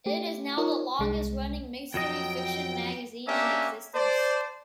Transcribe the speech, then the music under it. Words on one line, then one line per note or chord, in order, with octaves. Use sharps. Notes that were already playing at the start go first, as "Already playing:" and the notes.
It is now the longest-running mystery fiction magazine in existence.
A3 G4
D#4 F4 A#4 C#5
C2 G#3
F2 F#3 D#5 G5
A#3 C#4 D4 G4 A#4 E5
C5 D5 A5